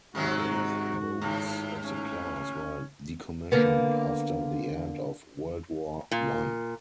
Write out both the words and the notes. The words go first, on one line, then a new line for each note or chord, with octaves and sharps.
Both boats of the class were decommissioned after the end of World War I.
G#2 C3 D#3 F#3 F#4
D#2 A2
C#4
D3 A#3 B3
A#2